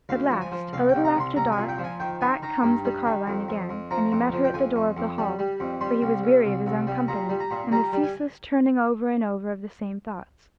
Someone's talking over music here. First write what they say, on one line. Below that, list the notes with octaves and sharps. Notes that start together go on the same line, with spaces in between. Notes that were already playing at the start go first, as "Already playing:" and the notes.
At last, a little after dark, back comes the carline again, and he met her at the door of the hall, for he was weary of his own company, and the ceaseless turning over and over of the same thoughts.
D2 F5
F3
G#5
F3
C2 F5
G5
C2
A#5
C2 C6
C2 A#5
G#5
A#2
G5
F3
G#5
D#3 G5
D#3 G#5
D#3 A#5
G2
G3
D#3
F2
F2
F2
F3 A#5
F2
F3
G5
F2 G#5
F2
F2
G3
G3
F2
G3 C6
C2
C2
C2
C2
G3
A#2 A#5
G3
A#5
A#2
G3 A#5
G3
G#5